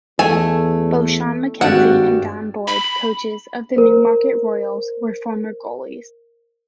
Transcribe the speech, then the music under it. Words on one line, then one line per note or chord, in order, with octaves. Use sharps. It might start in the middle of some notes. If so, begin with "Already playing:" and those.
Both Shawn Mackenzie and Don Boyd, coaches of the Newmarket Royals were former goalies.
E2 A3 G#5
G#1 G2 F#4 D5 F#5
B5
A#4 C5